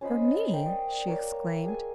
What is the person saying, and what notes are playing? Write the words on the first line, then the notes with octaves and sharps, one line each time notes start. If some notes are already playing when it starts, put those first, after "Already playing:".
"For me!" she exclaimed.
C#4 C5 D#5 B5
A#3 G5
D5 D#6
A#3 A#4 C#5 D6
G#4 G#5